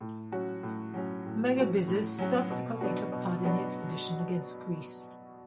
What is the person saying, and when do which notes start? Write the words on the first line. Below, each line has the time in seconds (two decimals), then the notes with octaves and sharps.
Megabyzus subsequently took part in the expedition against Greece.
0.01 A2
0.32 F#3 C#4 F#4
0.63 A2
0.94 F#3 C#4 F#4
1.26 A2
1.56 F#3 C#4 F#4
1.88 A2
2.18 F#3 C#4 F#4
2.50 B2
2.81 F#3 B3 D4 F#4
3.12 B2
3.44 F#3 B3 D4 F#4